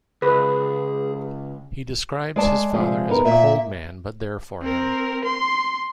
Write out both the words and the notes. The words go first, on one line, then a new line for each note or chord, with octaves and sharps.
He describes his father as a cold man but there for him.
C#2 G#4 B4
G#3 D5 A5
C3 F3 G#3
B3 D#4 A#4
A#2 A#3 E5
C4 A#4
C6